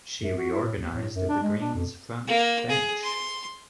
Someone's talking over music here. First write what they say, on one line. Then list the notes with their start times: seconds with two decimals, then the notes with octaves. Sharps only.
She reorganised the Green's front bench.
0.21 F#2
0.38 F#4
0.52 E4
0.64 A2
0.78 D#2
0.93 A2
1.14 F#2
1.29 D4
1.43 G#3
1.61 D4
1.75 F2
2.28 A#3
2.70 G#4
3.03 C6